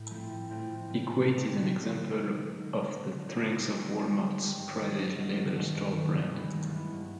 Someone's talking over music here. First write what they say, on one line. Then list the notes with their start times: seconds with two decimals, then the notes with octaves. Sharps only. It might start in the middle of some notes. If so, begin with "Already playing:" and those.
Equate is an example of the strength of Walmart's private label store brand.
Already playing: A2
0.10 F3 A3 C4 E4
0.30 A2
0.49 F3 A3 C4 E4
0.69 A2
0.89 F3 A3 C4 E4
1.08 A2
1.28 F3 A3 C4 E4
1.47 D3
1.66 F#3 A#3 D#4
1.86 D3
2.05 F#3 A#3 D#4
2.25 D3
2.45 F#3 A#3 D#4
2.64 D3
2.83 F#3 A#3 D#4
3.02 D3
3.23 G3 C4 D#4 G4
3.42 D3
3.61 G3 C4 D#4 G4
3.81 D3
4.00 G3 C4 D#4 G4
4.19 D3
4.39 G3 C4 D#4 G4
4.58 G2
4.76 D#3 F#3 A3
4.97 G2
5.16 D#3 F#3 A3
5.37 G2
5.56 D#3 F#3 A3
5.76 G2
5.95 D#3 F#3 A3
6.14 G2
6.34 E3 G#3 B3 E4
6.53 G2
6.72 E3 G#3 B3 E4
6.92 G2